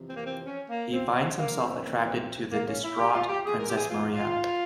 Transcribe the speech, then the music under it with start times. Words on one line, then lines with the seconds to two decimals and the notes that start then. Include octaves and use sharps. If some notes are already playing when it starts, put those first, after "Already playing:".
He finds himself attracted to the distraught Princess Maria.
Already playing: F2 C3 E3
0.08 C4
0.16 A#3
0.24 C4
0.46 C#4
0.69 A#3
0.92 C4
1.15 C4
1.38 A#3
1.61 G2 E3 A#3 C4
2.06 C4
2.52 A#3
2.68 C#4
2.83 E4
2.98 G4
3.14 F4
3.29 G4
3.44 E2 E3 G#3 G#4
3.59 A#4
3.70 G4
3.75 G#4
3.91 F4
4.13 F4